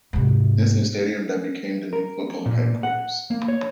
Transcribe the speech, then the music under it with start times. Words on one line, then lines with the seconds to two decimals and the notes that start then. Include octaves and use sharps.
This new stadium that became the new football headquarters.
0.13 G#2 C3
1.93 A#4
2.46 A#2
2.83 F#5
3.31 A#3
3.48 C#5